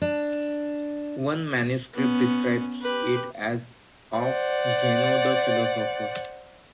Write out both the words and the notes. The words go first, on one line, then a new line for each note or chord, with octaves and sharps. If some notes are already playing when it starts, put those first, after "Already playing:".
One manuscript describes it as "of Zeno the Philosopher".
D4
B3 C#4
G4 B4
C5 D5 F#5